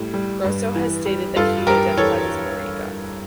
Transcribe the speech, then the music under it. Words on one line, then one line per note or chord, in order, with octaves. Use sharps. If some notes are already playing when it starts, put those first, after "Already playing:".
Grosso has stated that he identifies as "marica".
Already playing: A2 G3
G3
G2
E3
G3
G2 F4 A4
G2 G4 A#4
E3 A4 C#5